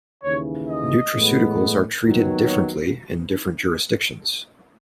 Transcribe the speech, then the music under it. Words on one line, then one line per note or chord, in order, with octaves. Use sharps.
Nutraceuticals are treated differently in different jurisdictions.
D#2 C#3 E3 C#5
D#5
A2 E3 G#3 B3
D#2 D#3 F#3 B3
C#5